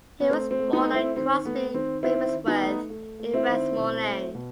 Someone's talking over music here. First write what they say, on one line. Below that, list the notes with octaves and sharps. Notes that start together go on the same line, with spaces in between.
He was born at Crosby Ravensworth in Westmorland.
B3
A3 C4
C4
A3
B3 D#4
A3
C4 E4
D#3 C4
A3 B3
D#3 C4
D#3 C4 E4
D#3
B3 D#4
A3
A3
A3
C4 E4
D#3
B2
A3
B2